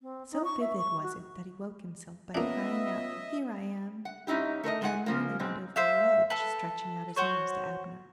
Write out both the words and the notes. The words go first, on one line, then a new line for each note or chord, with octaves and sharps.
So vivid was it that he woke himself by crying out, "Here I am!" and nearly went over the ledge, stretching out his arms to Abner.
C4
D#4
C#6
E5
C#6
F#4
A#3 B3 C#4 D4 F4 D#5 E5
F#5
G#2 C#4 D#4 E4 G4
A3 A#4 C#5 D#5
G#2 G#3 F#5 G#5
C#3 F3 A#3
G#2 B2 G#3 C4
C5 E5 F5
A4 B4
F#4 C5 C#5